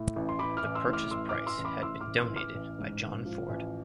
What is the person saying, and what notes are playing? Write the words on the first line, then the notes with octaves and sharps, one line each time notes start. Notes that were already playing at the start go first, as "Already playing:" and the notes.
The purchase price had been donated by John Ford.
Already playing: A2
A1
C6
E3 B5 D6
D6 F6
A1
C6 E6
A2
D6 F6
A1 C6 E6
D6 F6
E3
C6 E6
A1
B5 D6
A2 C6 E6
D6 F6
A1
C6 E6
E3
D6 F6
A1
G#2
A1
F3
A1